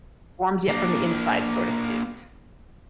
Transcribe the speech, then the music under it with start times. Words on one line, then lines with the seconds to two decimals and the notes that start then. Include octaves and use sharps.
warms you up from the inside sort of soups.
0.69 A#3 D4